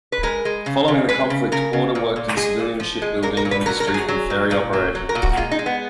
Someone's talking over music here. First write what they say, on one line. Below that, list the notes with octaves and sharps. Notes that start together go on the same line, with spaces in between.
Following the conflict, Porter worked in civilian shipbuilding, industry and ferry operations.
B4
G#3 A#4
G#3
C#3
C#3
G#3 B4
C#3
C#3 A#4
C#3
A#2
A#2
G#3 G#4
A#2
F3
G#3
A#2 A#4
A#4
A#2
B4
F#3 A#4
A#4
F#3
G#4
F#3
A#2
A#2
F#3
F#3
A#4
A#2
F#4
G#3 F4
D#4
G#3
B3